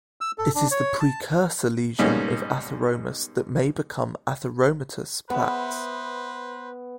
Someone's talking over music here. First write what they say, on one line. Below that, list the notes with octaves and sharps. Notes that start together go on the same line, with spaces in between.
It is the precursor lesion of atheromas that may become atheromatous plaques.
E6
A4
D4
C#5
A5
G#2 B2 G3 A#3 C#4 D#4
B3 B4 C5 E5